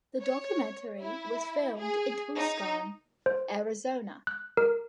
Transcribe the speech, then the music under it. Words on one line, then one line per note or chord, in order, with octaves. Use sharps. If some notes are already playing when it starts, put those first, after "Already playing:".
The documentary was filmed in Tucson, Arizona.
C#5
E4
G#4
D#4
C5
F#6
A#4